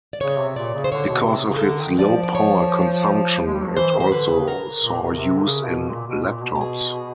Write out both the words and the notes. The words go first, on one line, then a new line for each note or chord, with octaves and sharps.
Because of its low power consumption, it also saw use in laptops.
D5
C#3 C#5
C3
A#2 D5
C#3
C5
D3 C#5
B2
C3 C5
C#3
A4
D3 A#4
D#3
F3 D5
F3
D5
C#5
G#3
G3
F#3
F3
E3 C5
D#3
C5
D3 B4
C#3
A#4
A#2
B2
C#3
C3
D3
C#3
B2
A#2
B2
A#2
B2
G4
G#4